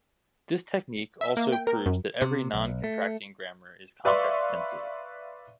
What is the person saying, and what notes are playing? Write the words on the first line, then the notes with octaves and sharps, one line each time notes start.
This technique also proves that every noncontracting grammar is context-sensitive.
E5
A#3
G5
A#4
F#2
C3
B1
A3
B4 D5 E5 F5 C6 C#6